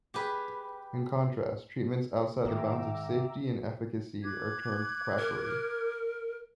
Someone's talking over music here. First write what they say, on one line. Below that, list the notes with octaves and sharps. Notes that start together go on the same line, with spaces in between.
In contrast, treatments outside the bounds of safety and efficacy are termed quackery.
G4 G#4 B4
G#2 D#3 G#3 E5 G5 A#5 D6 E6
D6 F#6 G#6
A#4